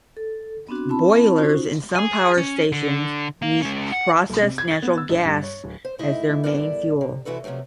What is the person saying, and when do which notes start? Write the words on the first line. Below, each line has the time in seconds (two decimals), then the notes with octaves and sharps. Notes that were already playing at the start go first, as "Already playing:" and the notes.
Boilers in some power stations use processed natural gas as their main fuel.
0.17 A4
0.69 B3 C4 D4 F#4
0.89 C4 E4 A5 B5
1.38 C#4 D#4 F4 F#4 C5
1.96 G#4 G#5
2.38 C#4
2.72 D3
3.42 A#3 F5
3.62 G#3 C#4
3.92 F#5
4.30 B1
4.42 C3
4.58 G#6
4.71 A6
4.82 B3
4.98 E6
5.09 A#1
5.25 G2
5.43 C#5
5.64 D1
5.85 C5
5.98 D2 G#2 A3 D#4 E4 D#5
6.44 G3 B3 E4 A4 A#4 D5
7.01 C3
7.25 C3 E3 E4 F#4 A4 B4
7.44 C3 D#3 F3 F#3 A3